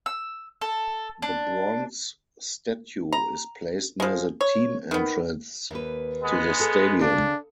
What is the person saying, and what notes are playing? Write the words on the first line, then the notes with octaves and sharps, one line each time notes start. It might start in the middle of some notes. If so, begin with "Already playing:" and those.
The bronze statue is placed near the team entrance to the stadium.
E6
A4
D4
A#5
F3 G#3
C#5
D#3 B3
D#2 B4
G#3 B3
G#4 A4
C#3 D4